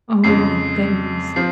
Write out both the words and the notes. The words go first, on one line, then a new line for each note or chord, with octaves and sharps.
Oh my goodness.
F2 C#3 G#3 C7
F3 C4 C7